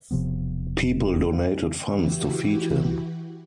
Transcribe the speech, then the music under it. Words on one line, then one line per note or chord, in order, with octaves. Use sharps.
People donated funds to feed him.
E1 C3 F3 B3
E3 E4 F#4 G4